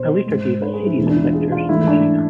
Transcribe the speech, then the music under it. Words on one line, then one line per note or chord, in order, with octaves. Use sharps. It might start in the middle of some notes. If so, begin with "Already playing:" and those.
I later gave a series of lectures in China.
Already playing: B2 C5
G#2 G#3
B4
G#4
E4
E2 B2 G#3 E4
D4
E4
F4
G#4
F4
G#2 E3 A3 E4
D4